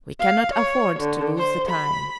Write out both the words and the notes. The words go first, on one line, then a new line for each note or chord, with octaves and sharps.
"We cannot afford to lose the time."
F5
C#5
D3
C5
B5